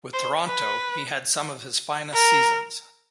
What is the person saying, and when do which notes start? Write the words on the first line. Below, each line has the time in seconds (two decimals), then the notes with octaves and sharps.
With Toronto, he had some of his finest seasons.
0.14 C5
0.47 B4
2.14 A#4